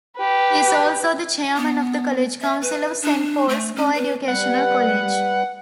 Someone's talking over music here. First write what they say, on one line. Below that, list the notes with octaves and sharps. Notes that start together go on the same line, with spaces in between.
He is also the Chairman of the College Council of Saint Paul's Co-educational College.
G4 B4
B3
E5
B4
D4
A3
C#4
B4
G3 B4 F#5